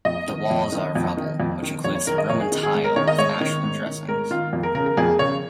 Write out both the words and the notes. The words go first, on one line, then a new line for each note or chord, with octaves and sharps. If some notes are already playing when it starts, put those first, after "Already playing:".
The walls are of rubble, which includes some Roman tile, with ashlar dressings.
F2 D#5
D#3
F2
D#3
F2
D#3
F2
D#3
F2 C#5
C#5
D#3 A#4
D#5
F2 C#5
G#4
D#3
G#4
G#2
A#4
D#3 C#5
D#5
G#2 C#5
D#3
G#2
D#3
G#2 A#4
D#3 F4
F2
A#4
C#3 A#4
A#4
F2 G#4
C#3 C#5